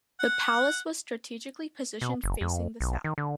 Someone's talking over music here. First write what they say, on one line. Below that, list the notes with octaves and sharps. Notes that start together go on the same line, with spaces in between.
The palace was strategically positioned facing the south.
F#5
B2
F#1
F2
B1
D#3
D3